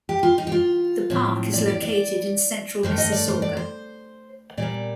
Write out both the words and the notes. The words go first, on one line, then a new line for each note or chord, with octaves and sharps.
The park is located in central Mississauga.
G4
F4
D#4
G4
F4
A2 F3 C4
D5
D5
D5
G2 D#3 A3 C5
D#5
D5
C5
D5
C5
A#2 G3 A#3 D5